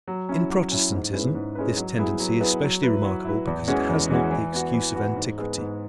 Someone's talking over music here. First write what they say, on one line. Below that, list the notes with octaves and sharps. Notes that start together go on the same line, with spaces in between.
In Protestantism this tendency is specially remarkable because it has not the excuse of antiquity.
F#3
C#4 E4
F#3
C#4 E4
G#2
G#3 C#4 E4 B4
G#2
G#3 C#4 E4 B4
F#3
B3 E4 G#4 B4
F#3
B3 E4 G#4 B4
F#3
E4 B4
F#3
E4 B4
E2
E3 G#3 C#4 F#4
E2
E3 G#3 C#4 F#4
E3
B3 F#4
E3
B3 F#4
G#2
G#3 B3
G#2